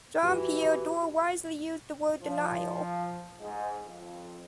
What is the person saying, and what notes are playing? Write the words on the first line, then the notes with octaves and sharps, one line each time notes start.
Jean-Pierre Door wisely used the word «denial».
E3 F#4 G4
F3
G#2
F2